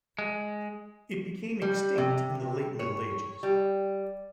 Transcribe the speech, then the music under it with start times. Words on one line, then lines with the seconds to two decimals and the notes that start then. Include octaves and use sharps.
It became extinct in the Late Middle Ages.
0.19 G#3
1.62 G3
1.98 C3
2.79 C#5
3.43 G3